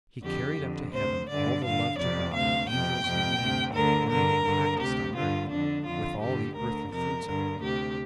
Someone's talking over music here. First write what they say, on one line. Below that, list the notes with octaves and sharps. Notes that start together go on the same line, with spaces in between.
He carried up to heaven all the love to God and angels and men He had learned and practised on earth, with all the earthly fruits of it.
F2 D3 G4
F2 D3
D2 C3 C5
G2 D3 D5
G2 D3 F5
F2 C3 D5
D2 C3 F5
F2 C3 G5
F2 C3
D2 C3
D2 D3 A#4
G2 D3 A#4
G2 D3
D2 C3 G4
G2 D3 F4
F2 D3 D4
F2 D3 F4
G2 D3 G4
D2 D3 A#4
F2 C3 A#4
G2 D3 A#4
D2 C3 G4